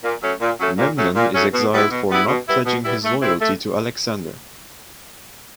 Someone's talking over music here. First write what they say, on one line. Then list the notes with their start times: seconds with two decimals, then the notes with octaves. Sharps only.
Memnon is exiled for not pledging his loyalty to Alexander.
0.03 A#2
0.22 F#3 A3 C#4
0.40 A#2
0.59 F#3 A3 C#4
0.78 A#2
0.96 F#3 A3 C#4
1.16 A#2
1.34 F#3 A3 C#4
1.54 B2
1.72 G3 B3 E4
1.90 B2
2.09 G3 B3 E4
2.28 B2
2.47 G3 B3 E4
2.65 B2
2.85 G3 B3 E4
3.04 A3
3.21 C4 E4
3.41 A3